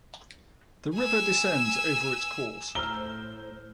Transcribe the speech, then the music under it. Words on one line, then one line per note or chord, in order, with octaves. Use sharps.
The river descends over its course.
G#5 E6
A2 C5 A#5 E6 F6 G7